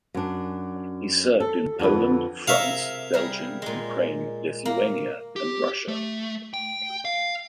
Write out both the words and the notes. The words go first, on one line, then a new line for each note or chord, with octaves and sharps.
He served in Poland, France, Belgium, Ukraine, Lithuania and Russia.
F#2 D4
A4
F2 D3 A4 B4
C3 G#4 A#4 E5 F5
G3 G#4 A#4
A#2 G#3
A#3
G4
A3
G5
F5